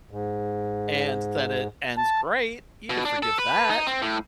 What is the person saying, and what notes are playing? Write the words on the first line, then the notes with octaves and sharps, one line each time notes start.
and then it ends great, you can forgive that.
G#2
A5
B2
D4
A4
B4
D#4
C4
A2